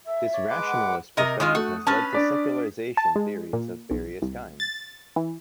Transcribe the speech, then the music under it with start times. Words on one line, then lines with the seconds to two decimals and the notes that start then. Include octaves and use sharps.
This rationalist perspective has led to secularization theories of various kinds.
0.06 A4 E5
0.33 C#5 D5
0.50 G#3 B4 D6
0.67 F#5
1.17 C3 A#4 D#5
1.40 D#3 G#3 F4 D#6
1.55 A3 F#4
1.87 C#4 B4 A5 F6 A6
2.13 D4 D5 B6
2.97 A5
3.16 G#3
3.53 A#2
3.91 B1
4.22 C2
4.60 A6
5.16 E3